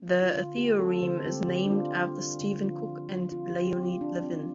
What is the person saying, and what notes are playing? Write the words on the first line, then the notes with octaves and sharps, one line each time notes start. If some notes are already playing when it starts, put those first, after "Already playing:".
The theorem is named after Stephen Cook and Leonid Levin.
Already playing: C4
D3
F4
D3
A3 G4
C4 A4
D3 C5
C4 G4
D3 G4
D4
D3 F4
G3
C4
D3
F3 F4
C4
F3
C4 F4
F3 G4
G4
C4
F4
F3 D4
C4